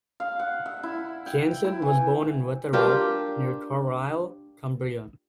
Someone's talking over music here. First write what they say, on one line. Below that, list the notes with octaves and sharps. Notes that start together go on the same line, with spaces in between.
Jansen was born in Wetheral, near Carlisle, Cumbria.
F5
F#5
E5
E4
G5
E4
E3
D4 F4 G4 A#4